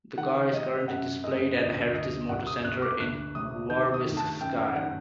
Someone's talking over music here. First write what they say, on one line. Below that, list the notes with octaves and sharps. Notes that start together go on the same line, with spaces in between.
The car is currently displayed at the Heritage Motor Centre in Warwickshire.
D#3 F#5
C3 D#5
F#2 F#5
F#2 D#5
D2 D#5
D2 D#5
C2 F#5
D#6
C2 F#6
D6
D2 F#6
C3 D#6
D#3 G6
D#6
D#3
A5
F#2 G5
D#3 F#5